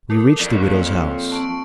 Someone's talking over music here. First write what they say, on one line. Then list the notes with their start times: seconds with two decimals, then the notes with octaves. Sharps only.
We reached the widow's house.
0.10 E4 A4 A#4
0.40 F2 D5
0.53 A#3 C#5
1.32 A5 C#6 D7